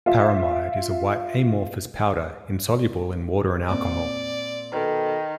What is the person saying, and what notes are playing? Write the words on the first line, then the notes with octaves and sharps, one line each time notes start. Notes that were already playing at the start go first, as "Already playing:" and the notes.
Paramide is a white amorphous powder, insoluble in water and alcohol.
F4 E5
A#2 C4 D5
B2 D#3 A4 B4